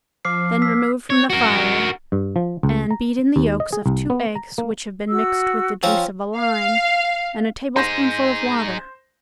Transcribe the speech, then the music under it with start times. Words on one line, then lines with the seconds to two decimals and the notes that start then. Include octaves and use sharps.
Then remove from the fire and beat in the yolks of two eggs which have been mixed with the juice of a lime and a tablespoonful of water.
0.25 F3 D6 F6 C7
0.62 E6 B6
1.10 C#5
1.30 F#4 A#4
2.12 G2
2.36 F3
2.63 C#2
2.91 A#5
3.36 D#2
3.60 D#5
3.73 G#4
3.86 C2
4.10 B3
4.35 A#5
4.58 A#3
5.10 F#4 E6
5.83 F3 C4 C#4
6.36 F5
7.76 D#4 G#4 C5 A#6